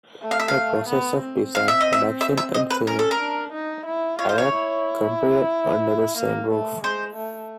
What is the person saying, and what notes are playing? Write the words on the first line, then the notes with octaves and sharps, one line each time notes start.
The process of design, production and sale arec completed under the same roof.
A3
F5
E5
F5
B3
C4
F5
E5
D#5
E5
E5
E5
D#5
B4
C#4 A#4
A4
A#4
D4
D#4
E4
F4 C#5
C5
C#5
E4
A#3
A3
G#3 C5
A3